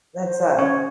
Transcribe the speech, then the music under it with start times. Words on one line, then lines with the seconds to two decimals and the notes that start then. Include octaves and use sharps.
that's a
0.23 C5
0.58 C#4 C#5